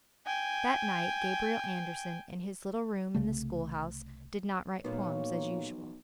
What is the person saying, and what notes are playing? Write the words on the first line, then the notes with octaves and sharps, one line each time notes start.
That night Gabriel Andersen in his little room in the schoolhouse did not write poems as usual.
G5 G#5
C2 C#3 A3
B1 A#2 B3 C#5